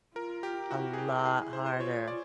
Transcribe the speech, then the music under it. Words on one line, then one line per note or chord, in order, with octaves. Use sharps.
A lot harder.
F4 A#4
G4
E4 F#4
G#4
G4
E4 G#4
C5
C5
F4 C#5
D5